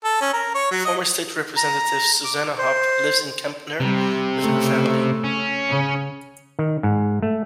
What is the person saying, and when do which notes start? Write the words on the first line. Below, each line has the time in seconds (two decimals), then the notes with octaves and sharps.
Former State Representative Suzanna Hupp lives in Kempner with her family.
0.04 A4
0.21 C#4
0.33 A#4
0.54 C#5
0.71 F#3
0.85 D#5
1.57 A#5
2.24 D6
2.58 C5
3.80 C3 G3
4.40 C#3 A3
5.24 C#4
5.68 C#3
6.59 D#3
6.83 G#2
7.22 A3